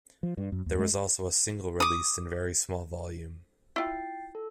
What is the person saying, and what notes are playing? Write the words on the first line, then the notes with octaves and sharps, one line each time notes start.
There was also a single released in very small volume.
F3
G2
F#2
D#2
G#3
D6 D#6
E4 F4 G5 A6 C7
A4